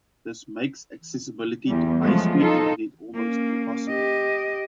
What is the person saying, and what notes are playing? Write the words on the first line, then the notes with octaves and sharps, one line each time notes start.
This makes accessibility to high speed internet almost impossible.
E2 G3
F3 F#3 G#3 A3 B3
D#4 F4 A4
A#3 C#4
G4 D#5